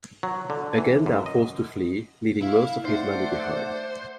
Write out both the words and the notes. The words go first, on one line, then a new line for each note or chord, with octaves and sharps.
Again they are forced to flee, leaving most of his money behind.
F#3
D3
E3
F#2
D#5
E4 F5
A3 D#4 C5 D5 F#5